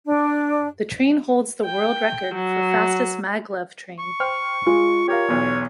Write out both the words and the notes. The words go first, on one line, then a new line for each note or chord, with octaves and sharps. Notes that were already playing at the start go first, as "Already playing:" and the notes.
The train holds the world record for fastest maglev train.
D4
G5
F#3
C#6
C5 G5 F6
G#3 F4
G4 A#4 C#5 F5
B1 E2